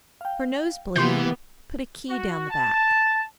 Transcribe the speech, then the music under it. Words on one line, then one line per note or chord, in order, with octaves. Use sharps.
For nose-bleed, put a key down the back.
F5 G5
C3 E3 A#3 B3 G4 C6 G6
F#4
A5